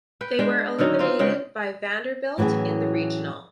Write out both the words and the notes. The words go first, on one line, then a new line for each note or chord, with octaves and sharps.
They were eliminated by Vanderbilt in the Regional.
B4 G5
G#3 D4 G5
D3 D#3 F#3 D#4
C4 F4
C#3 G#3 G5
A2 E3 F#3 C#4 G#4